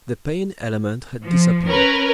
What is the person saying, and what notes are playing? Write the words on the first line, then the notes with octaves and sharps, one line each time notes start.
The pain element had disappeared.
F3
C#4 A#4 B4